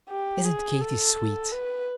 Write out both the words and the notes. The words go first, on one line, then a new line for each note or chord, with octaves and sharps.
"Isn't Katy sweet?"
G4
G#4
A4
B4